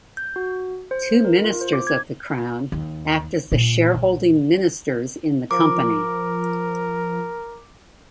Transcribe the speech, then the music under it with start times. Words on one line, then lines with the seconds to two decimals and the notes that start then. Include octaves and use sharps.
Two Ministers of the Crown act as the shareholding ministers in the company.
0.17 G6
0.36 F#4
0.91 C5
1.25 A#4
1.44 F4
1.61 C5
1.73 D6
1.87 G#6
2.72 D#2
3.52 A#2 D3
3.94 A#1
5.51 F3 A#4 D6